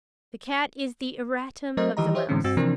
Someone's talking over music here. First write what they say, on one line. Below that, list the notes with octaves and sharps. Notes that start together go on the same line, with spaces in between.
The cat is the erratum of the mouse.
F#3 A3 C4 A#4 C5 D#5
D#3 E3 G4 D#5 A#5
G4 C5 C#5 D#5 E5
A2 D3 E3 G#3 C4 C#4
G2 C4 F#4 E6 A6
C3 E3 F3 C4 D4 A#4